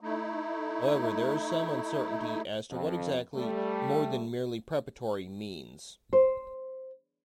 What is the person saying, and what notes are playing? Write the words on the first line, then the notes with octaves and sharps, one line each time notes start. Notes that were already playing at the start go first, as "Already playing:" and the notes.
However, there is some uncertainty as to what exactly 'more than merely preparatory' means.
A3 D#4 E4
F2
G3 A3
C5